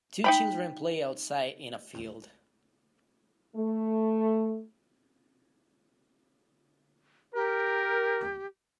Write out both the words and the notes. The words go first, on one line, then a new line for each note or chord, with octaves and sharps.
Two children play outside in a field.
D#4 G5 B5
A3
G4 A#4